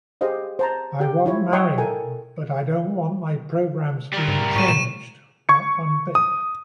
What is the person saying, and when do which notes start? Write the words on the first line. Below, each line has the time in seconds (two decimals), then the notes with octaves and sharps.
I want Mario, but I don’t want my programs being changed, not one bit!
0.21 G4 G#4 C5 D#5 F5
0.59 C5 A5 A#5
1.00 G4 G5
1.26 E4 F4 C#5
1.53 C#5 D#5 G5 C6 C#6 D#6
1.78 A4 A#4 G5 G#5
4.14 G3 A#4
4.28 G#2
4.56 A2 C#6 D#7 E7
4.68 B2 E7
5.49 C#6 G#6 C#7
6.15 D#6